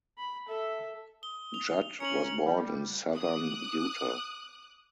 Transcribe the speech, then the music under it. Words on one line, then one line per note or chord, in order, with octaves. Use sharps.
Judd was born in southern Utah.
B5
A4 E5
D#6 G7
F7 G7
C#4 A#5 C#7 F7 F#7
G3
D6 D#6 F#6